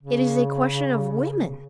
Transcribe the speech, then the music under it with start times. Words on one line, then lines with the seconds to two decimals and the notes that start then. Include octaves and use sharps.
It is a question of women.
0.03 C#3